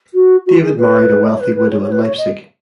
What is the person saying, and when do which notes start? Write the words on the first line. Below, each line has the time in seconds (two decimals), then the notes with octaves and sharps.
David married a wealthy widow in Leipzig.
0.14 F#4
0.46 F#4
0.62 G#4
0.77 B4
1.24 D#5
1.32 C#5
1.40 B4
1.55 B4
1.71 C#5
1.82 C#5
1.91 B4
2.02 C#5
2.18 D#5